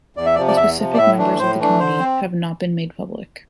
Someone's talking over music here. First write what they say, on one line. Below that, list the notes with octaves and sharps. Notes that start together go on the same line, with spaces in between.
The specific members of the committee have not been made public.
E2 D5
E5
C3 F3 D5
D5
E2 E5
C3 F3
D5
A2 E5
E3 A3 D4
A2 C5
E3 A3 D4
D3 C5
C4